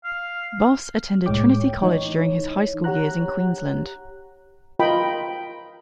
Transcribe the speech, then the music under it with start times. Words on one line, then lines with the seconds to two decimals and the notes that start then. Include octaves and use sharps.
Voss attended Trinity College during his high school years in Queensland.
0.04 F5
1.26 C2 A2 G#3 C#5 G5 D6
1.82 E3 D#4 C#5
2.84 G4 C#5 F#5 A#5 F#6
4.79 F4 A#4 D#5 G5 B5